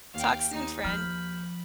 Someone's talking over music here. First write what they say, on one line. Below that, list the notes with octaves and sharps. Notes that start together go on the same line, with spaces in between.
Talk soon, friend.
D#2 F5 G5
D#2 D#4
F3 B5 F6 G6